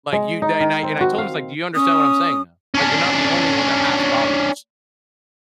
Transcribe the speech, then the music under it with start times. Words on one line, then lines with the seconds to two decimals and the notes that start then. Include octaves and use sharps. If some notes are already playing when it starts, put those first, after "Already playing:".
Like, you then I and I told him, I was like, "Do you understand what I'm saying now? Like, you're not the only one that has problems."
0.13 G#3
0.42 D#4
0.60 D#3
0.83 C4
1.01 F#4
1.18 F5
1.75 C#4 D#6
2.74 C#4 D4